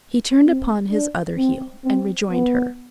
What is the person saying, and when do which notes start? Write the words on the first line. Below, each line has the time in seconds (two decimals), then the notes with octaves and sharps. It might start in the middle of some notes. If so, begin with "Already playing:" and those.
He turned upon his other heel, and rejoined her.
0.44 C4
0.91 D4
1.37 C4
1.84 C4
2.29 B3